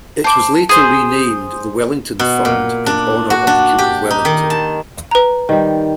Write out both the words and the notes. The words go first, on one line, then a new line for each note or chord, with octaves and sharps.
It was later renamed the Wellington Fund in honor of the Duke of Wellington.
C5 A5 D6
G#4 C5 D#6
B2
A#2
D4
F#4
D4
G4
D#4
D#3
A5
B4 A#5
D#3 G3